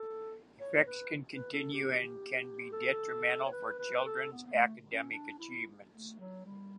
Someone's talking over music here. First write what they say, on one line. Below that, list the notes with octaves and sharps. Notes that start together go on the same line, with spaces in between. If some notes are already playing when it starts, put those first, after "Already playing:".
Effects can continue and can be detrimental for children's academic achievements.
Already playing: A4
C#5
B4
B4
A4
G4
G4
A4
C#5
B4
B4
A4
B3
B3
A3
C#4
D4
E4
A3
F#3
G3